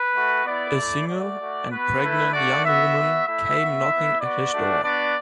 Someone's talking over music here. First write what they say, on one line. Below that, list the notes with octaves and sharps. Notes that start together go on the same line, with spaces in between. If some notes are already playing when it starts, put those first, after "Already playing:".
A single and pregnant young woman came knocking at his door.
Already playing: B4
A3 F#4
B3 E4 D5
A3 E4
A3 F#4 D5
A3 F#4
B3 F#4 B4
A3 E4
A3 D4 F#4 D5
B3 F#4 E5
B3 F#4
A3 E4 E5
B3 F#4
B3 E4
B3 F#4 D5
A3 D4 F#4
B3 D4 F#4 D5